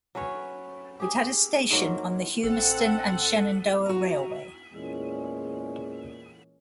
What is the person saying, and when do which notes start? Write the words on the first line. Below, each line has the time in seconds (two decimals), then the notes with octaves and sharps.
It had a station on the Humeston and Shenandoah Railway.
0.15 F#3 C#4 B4 C#5
1.00 G4 G#4
1.70 G#2 F#3 A#3
2.43 A1 C4 A4 F#5
3.86 F#4 A#5
4.74 E2 A#2 G#3 C#4